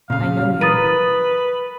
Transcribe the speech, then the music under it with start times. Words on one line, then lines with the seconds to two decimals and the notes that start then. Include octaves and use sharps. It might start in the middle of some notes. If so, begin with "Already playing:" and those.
I know you.
0.10 A#2 C#3 F5
0.61 A#4 B4 D#6 A6 D#7